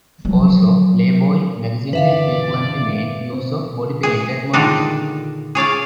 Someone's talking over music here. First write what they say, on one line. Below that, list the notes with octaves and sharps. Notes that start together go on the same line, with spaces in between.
Also "Playboy" magazine has frequently made use of body painted models.
F3 F#3
G2 D3 E3 B4 D5 E5 F5
C4
G#4
A#2 D3 D#3 D4 D#4
G#4 C#5 D5 F5